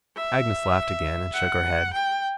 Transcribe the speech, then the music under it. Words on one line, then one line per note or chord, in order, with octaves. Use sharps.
Agnes laughed again, and shook her head.
E5
F#5
G5